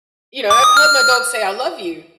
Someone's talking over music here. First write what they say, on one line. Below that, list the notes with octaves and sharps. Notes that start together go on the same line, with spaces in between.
You know, I've heard my dog say I love you,
D6
D#6
F6